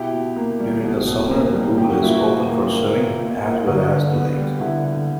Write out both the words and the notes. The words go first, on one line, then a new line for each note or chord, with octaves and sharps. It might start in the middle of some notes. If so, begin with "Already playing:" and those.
During the summer the pool is open for swimming, as well as the lake.
Already playing: B2 E4 G4
B2
A#3
G3
B2
B2
A#3
G3
A#3 G4
F#4
A#2 E4
F#4
A#2
A#3
A#3
A#2
A#2
A#3
D3 F#4
D3
B3
G3
D3 E4
D3